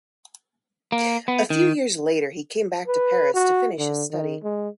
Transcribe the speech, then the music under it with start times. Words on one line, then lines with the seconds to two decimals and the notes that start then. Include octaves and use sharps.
A few years later, he came back to Paris to finish his study.
0.92 A#3
1.28 B3
1.50 D#3
2.87 B4
3.34 F#4
3.78 D3
4.11 D#3
4.43 G#3